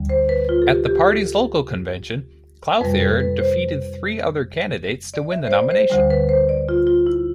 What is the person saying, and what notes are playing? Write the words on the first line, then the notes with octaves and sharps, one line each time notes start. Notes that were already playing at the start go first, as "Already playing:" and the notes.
At the party's local convention, Clouthier defeated three other candidates to win the nomination.
Already playing: D2 D3 G3
C5
B4
F4
A4
G4
G4
A4
F2 C3 G3 B4
A4
B4
C5
D5
E5
C5
D5
C5
D2 D3 G3 C5
B4
C5
D5
F4
F4
E4